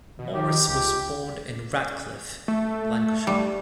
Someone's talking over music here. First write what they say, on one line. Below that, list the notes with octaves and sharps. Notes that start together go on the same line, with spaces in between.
Morris was born in Radcliffe, Lancashire.
B2
D#3 G4
C#2 G4
A3
G3